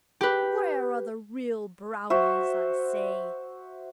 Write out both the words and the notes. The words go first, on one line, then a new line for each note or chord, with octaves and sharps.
"Where are the real brownies, I say?"
G4 B4
F#4 C5 E5